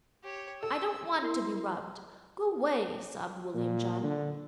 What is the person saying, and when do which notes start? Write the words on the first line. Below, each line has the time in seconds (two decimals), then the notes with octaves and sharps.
"I don't want to be rubbed--g'way," sobbed William John.
0.24 G4 C#5
0.63 A4 E6
1.22 E4 A#4 C6
3.54 A#2
4.03 D3